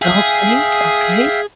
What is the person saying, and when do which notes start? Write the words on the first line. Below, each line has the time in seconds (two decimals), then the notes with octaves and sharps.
Okay, okay.
0.02 G#4 E5 F5 G5